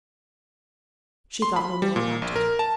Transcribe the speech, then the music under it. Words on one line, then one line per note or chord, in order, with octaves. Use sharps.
She thought no more about it.
C6
B5
G3
A#2
A#1
A#4
A5